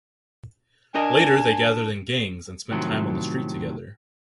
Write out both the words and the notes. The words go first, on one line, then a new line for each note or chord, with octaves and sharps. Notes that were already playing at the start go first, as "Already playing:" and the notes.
Later they gathered in gangs and spent time on the street together.
D4 A#4 D#5 G#5 A5
A2 C3 D#3 F3 F#3